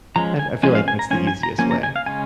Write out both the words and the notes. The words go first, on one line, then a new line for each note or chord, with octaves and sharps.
I f I feel like that's the easiest way.
F3 G#3 C#4 A#5
G#5
F3 G#3 C#4 G#5
F5
G#5
A#5
F3 A#3 C#4 G#5
G#5
A#5
F3 A#3 C#4 G#5
A#5
G#5
F5
C#3 G#3 C#4 G#5